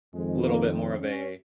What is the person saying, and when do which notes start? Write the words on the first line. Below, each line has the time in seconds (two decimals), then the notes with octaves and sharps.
little bit more of a,
0.14 F2 D#3 G#3
0.42 A#3
0.70 C4
0.99 C#4